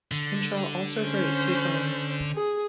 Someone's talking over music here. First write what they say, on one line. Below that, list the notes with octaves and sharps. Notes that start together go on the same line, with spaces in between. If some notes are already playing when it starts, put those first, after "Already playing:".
Henshaw also wrote two songs.
D3
C#4 C5
G#4